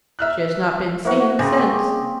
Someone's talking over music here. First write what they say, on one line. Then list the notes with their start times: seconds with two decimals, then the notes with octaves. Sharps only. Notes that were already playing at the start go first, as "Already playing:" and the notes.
She has not been seen since.
0.19 E5 F6 F#6
1.05 A#3 E4 F#4 A#4 C5 F#5
1.39 C#3 C4 G4 G#4 E5 A#6
1.59 D5 F#5 C#6